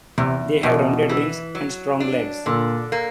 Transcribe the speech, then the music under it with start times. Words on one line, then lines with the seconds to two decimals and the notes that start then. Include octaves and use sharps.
They have rounded wings and strong legs.
0.18 E2 C3
0.63 E2 B2
1.09 E3
1.55 F#3
2.00 D4
2.46 A#2 D3
2.92 A#3